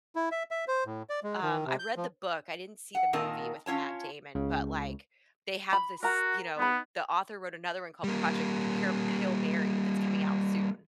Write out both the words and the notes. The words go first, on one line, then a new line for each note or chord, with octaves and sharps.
um, I read the book, I didn't see the movie with Matt Damon, but, like, they have this you know, the author wrote another one called Project Hair Hail Mary that's coming out soon.
E4
E5
E5
C5
A2
D5
G#3
D#3
C3
G6
F3
F#5
A#2 D#3 C4 A#4 D#5 A5
C#4 F4 C#5 A5
C#2 C#3
B5
F#4 A#4 F#5 A#5
B3 D#4 B5
G3 A#3